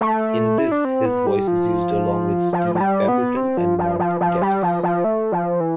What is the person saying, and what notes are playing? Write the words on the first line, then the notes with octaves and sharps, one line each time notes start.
In this, his voice is used along with Steve Pemberton and Mark Gatiss.
A3
E4
D4
C4
B3
G3
F3
F3
F3
G3
B3
C4
F3
F3
F3
F3
G3
F3
F3
A3
F3
E3